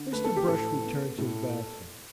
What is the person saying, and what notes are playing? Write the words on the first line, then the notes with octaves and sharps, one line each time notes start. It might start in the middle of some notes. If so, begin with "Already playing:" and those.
Mr. Brush returned to the bathroom.
Already playing: D3
A3 B4
A4
G4
A2 A4
B3
A2